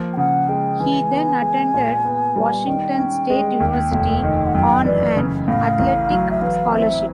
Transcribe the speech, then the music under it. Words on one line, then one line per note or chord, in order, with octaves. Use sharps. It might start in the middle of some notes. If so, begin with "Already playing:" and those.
He then attended Washington State University on an athletic scholarship.
Already playing: F3 A#3
G5
C#3 F#5
G#3 G5
E3 G#5
B3
G#3
A#2
B3
G3
D#3 G5
C#4
G#3
D#2
F1
D#3
F#5
F#2 G5
E3 D5
C#3
A2 F5
A1
F#3
E5
E3 F5
C4 E5